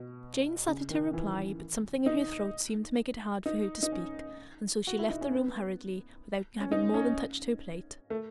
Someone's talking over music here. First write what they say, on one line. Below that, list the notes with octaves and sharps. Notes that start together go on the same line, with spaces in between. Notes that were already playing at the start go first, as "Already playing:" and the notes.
Jane started to reply, but something in her throat seemed to make it hard for her to speak, and so she left the room hurriedly without having more than touched her plate.
Already playing: B2
C#3
D#3
E3
D#4
D#4
D#4
C#4
F#4
E4
D#4
C#4
B3
C#4
D#4
C#4
A3